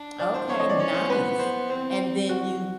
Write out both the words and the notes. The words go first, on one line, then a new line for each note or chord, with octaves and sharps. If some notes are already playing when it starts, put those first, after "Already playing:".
Okay, nice, and then you
Already playing: D4
D5
C5
C4 C#5
D#5
D5
C#4 C#5
C5
B3 B4
C5
C4 C5
F#4